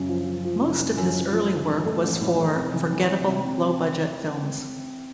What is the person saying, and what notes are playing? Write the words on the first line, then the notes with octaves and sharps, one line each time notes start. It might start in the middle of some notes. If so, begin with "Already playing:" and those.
Most of his early work was for forgettable low-budget films.
Already playing: F#2 C#3
F3
F3
F3
C#3
C#3
F#2
F3
F3
F3
A1
A3
A1
A2
A2
C3
E3
E3
C3
C3
C3